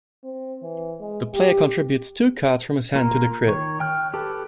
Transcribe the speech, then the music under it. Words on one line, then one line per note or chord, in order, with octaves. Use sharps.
The player contributes two cards from his hand to the crib.
C4
E3
G#3
G4
A#3 F4 A#5
D#3 C#5
G5 F6 F#6
G4 A4 B4 A5